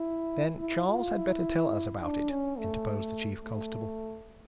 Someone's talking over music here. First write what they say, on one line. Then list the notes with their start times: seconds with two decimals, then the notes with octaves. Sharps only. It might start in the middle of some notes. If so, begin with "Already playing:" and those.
"Then Charles had better tell us about it," interposed the chief constable.
Already playing: E4
0.60 E4
0.89 F4
1.16 E4
2.02 D4
2.30 C#4
2.58 A3
3.45 A3